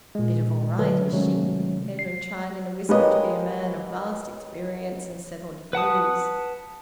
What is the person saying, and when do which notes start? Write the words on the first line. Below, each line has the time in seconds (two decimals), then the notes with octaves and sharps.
"Bit of all right, is she?" Edwin tried in a whisper to be a man of vast experience and settled views.
0.15 A#2 G#3
0.79 D3 F#3 A3 A4 B4
1.12 C3 D#3 F#3 G#3 A3 C#4
1.99 C7
2.89 G3 G#3 A#3 B4 C#5 D#5
5.73 B4 F#5 A5 D#6